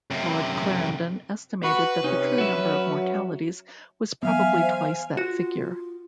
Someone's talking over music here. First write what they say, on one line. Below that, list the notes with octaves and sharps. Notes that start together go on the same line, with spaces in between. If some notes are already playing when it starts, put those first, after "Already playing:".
Lord Clarendon estimated that the true number of mortalities was probably twice that figure.
F#2 C3
F#4 B4
C3 C#4 D#4
F#3 F#4 E5
E3 F#3 B3 E5 F5 G#5
C5
F4 F#4